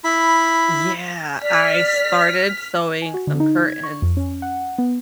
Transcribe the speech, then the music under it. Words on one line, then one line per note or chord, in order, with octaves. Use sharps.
Yeah, I started sewing some curtains,
E4 B5
D5 F6 B6
G#5
F#4
D3
D#4
G#6
C#6
F2
C#4
F#5
B3